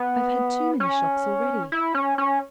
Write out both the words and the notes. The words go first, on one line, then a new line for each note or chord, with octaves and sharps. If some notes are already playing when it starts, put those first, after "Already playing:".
I have had too many shocks already.
Already playing: B3
C#4
E4
C#4
C#4